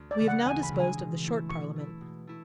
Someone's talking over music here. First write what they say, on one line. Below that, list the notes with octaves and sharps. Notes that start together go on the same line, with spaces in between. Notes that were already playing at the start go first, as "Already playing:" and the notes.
We have now disposed of the Short Parliament.
Already playing: D2
D5
C#3 E3 G#3
F#5
D2 G#5
B5
C#3 E3 G#3
G#5
B2
A3 E4
B2 C#6
A3 E4
B2
A3 E4